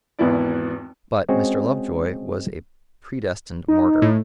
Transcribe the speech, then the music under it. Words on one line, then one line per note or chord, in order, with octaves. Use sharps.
But Mr. Lovejoy was a predestined martyr.
G#1 E2 B3 E4 D5
G#3 C4 C#4 F#4
D#4
A2